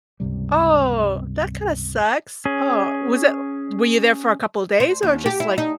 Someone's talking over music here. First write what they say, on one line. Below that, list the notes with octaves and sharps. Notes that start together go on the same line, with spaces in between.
Oh, that kinda sucks. Oh, was it were you there for a couple of days or just like
C#2 G2 C3 G3
C#4 G#4
C5
D#2
G4
E4
D#4